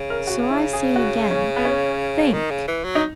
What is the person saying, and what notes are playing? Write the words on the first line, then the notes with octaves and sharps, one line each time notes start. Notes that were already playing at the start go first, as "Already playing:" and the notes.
So I say again, think.
Already playing: C#3
A#4
F#4
E4
G#4
F#4
C#4
B3
C#4
D#3
C#3
E3
F#3
D#4